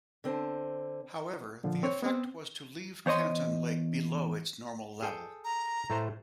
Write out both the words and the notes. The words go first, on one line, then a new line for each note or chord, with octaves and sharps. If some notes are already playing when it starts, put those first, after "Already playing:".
However, the effect was to leave Canton Lake below its normal level.
D3 C4 C5 A5
A#2 D3 F3
C4 C#5
B3 C4
E2 C5 C#5 D#5 C6
G#4 A4 G5
A#5
A2 A3 C5